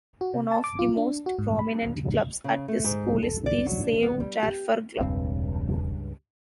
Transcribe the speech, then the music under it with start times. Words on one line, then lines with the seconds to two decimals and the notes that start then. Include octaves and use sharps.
One of the most prominent clubs at this school is the Save Darfur Club.
0.21 F#4
0.34 C3
0.52 A5
0.64 D6
0.79 F4
0.97 D4
1.26 F#4
1.39 G#2
1.59 B5
2.44 C#3
2.68 A3
2.84 G#2
3.23 A4
3.46 D5
3.66 F#3
3.84 D4
4.03 B3
4.20 G3
4.43 G4
5.00 E1 C#2 G2 C4